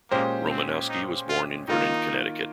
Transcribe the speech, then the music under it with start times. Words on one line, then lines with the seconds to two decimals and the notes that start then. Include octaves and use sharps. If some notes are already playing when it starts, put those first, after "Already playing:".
Romanowski was born in Vernon, Connecticut.
0.10 A#2 G#3 A#3 C#4 G4 C5
0.50 C4
0.89 D#4
1.29 F4
1.68 D#3 A#3 D#4 F4